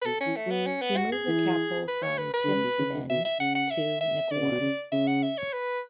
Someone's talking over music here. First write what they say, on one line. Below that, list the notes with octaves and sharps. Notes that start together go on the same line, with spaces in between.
He moved the capital from Temsaman to Nekor.
B4
B2 A4
C#4
E3
A3
F#3 B3
C#4
B3
F#4
G#4
E3
B4
C#5
B4
B4
D3
C#3
B2
C#3
D3
B2 E5
E5
C#3 F#5
F#5
E5
E5
D3 D5
C#3
B2
C#3
C#3 E5
F#5
E5
C#5
B4